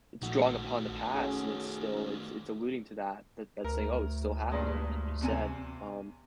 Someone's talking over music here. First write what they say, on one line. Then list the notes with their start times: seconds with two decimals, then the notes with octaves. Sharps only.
it's drawing upon the past, and it's still, it's it's alluding to that that's saying, "Oh, it's still happening like you just said," um
0.22 A#1 D#3 A3 F#4
1.15 C#4 F#4 G#4
3.64 D2 A#4
4.52 G2 A#2 G#3
5.21 E2 C3 G#5